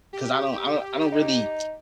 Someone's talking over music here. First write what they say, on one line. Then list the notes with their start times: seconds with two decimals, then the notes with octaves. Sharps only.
'cause I don't I don't I don't really
0.13 G4
1.12 D#4